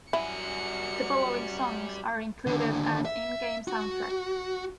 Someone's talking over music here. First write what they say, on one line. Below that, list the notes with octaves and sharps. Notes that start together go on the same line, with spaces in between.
The following songs are included as in-game soundtrack.
F#2 G3 E4 G#5 C#7
D#2 D3
E5
F#4